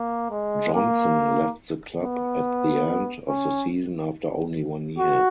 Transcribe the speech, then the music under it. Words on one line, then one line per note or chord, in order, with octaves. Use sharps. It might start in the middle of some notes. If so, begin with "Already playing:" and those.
Johnsson left the club at the end of the season after only one year.
Already playing: A#3
G#3
A#3
B3
C#4
F#4